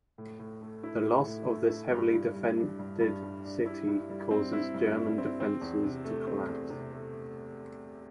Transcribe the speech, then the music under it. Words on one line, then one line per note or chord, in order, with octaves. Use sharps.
The loss of this heavily defended city caused German defenses to collapse.
A2
A2
A3
E4
A2
A2
A3
E4
G2
G2
G3
D4
G2
G2
G3
D4
E4
G2
G3
C4
E4
G2
G3
C4
C4
E2
C3
A3
C4
E2
C3
A3